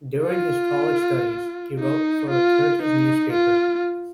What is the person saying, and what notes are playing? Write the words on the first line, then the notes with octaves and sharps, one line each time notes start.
During his college studies, he wrote for a Turkish newspaper.
F4
D#4
F4
D#4
F4